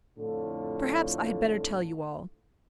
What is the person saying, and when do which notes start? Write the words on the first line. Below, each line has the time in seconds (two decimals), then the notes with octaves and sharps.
Perhaps I had better tell you all.
0.18 F2 A2 D3 F4 A4